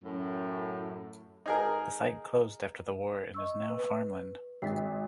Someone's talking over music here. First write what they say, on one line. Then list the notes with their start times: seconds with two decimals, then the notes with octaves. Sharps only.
The site closed after the war and is now farmland.
0.05 F#2 A2
1.46 D#4 G#4 A#4
3.34 D#5 C#6 E6
3.70 B4
4.62 G#1 A6 B6 C7